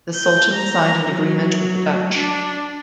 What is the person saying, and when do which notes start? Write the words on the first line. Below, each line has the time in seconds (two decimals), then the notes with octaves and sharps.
The Sultan signed an agreement with the Dutch.
0.15 G6
0.54 A#5
1.08 F#3
2.14 D4